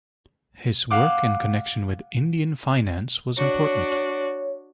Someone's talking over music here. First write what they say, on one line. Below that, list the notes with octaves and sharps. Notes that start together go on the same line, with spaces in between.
His work in connection with Indian finance was important.
F5 F#5 D6
D4 F#4 C#5